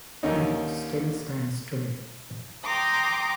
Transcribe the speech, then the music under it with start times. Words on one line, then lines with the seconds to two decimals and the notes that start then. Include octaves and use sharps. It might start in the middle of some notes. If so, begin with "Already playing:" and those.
It still stands today.
0.23 D#2 D3 C#4 D#4
2.64 G5 A#5 C6 D6 D#6